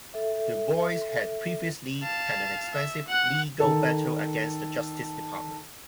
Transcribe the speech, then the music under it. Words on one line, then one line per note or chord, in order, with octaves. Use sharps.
Du Bois had previously had an expensive legal battle against the Justice Department.
A4 E5
F5 A5
E5
F#5 F#6
D#3 A4